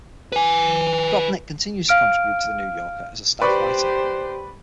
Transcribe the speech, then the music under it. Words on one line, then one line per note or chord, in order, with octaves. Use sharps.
Gopnik continues to contribute to "The New Yorker" as a staff writer.
B4 G#5
F5 F6 D7
G4 B4 C5 D5 C#6